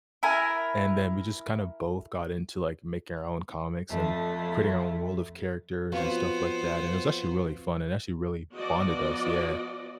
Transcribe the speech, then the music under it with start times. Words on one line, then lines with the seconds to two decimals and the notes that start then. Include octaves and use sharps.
And then we just kinda both got into, like, making our own comics and creating our own world of characters and stuff like that, and it was actually really fun, and actually really bonded us. Yeah.
0.23 E4 A#4 G#5
3.88 F2 A3
5.92 F2 B3 F4 F#4 C5
8.54 F3 B3 F#4 D5 D#5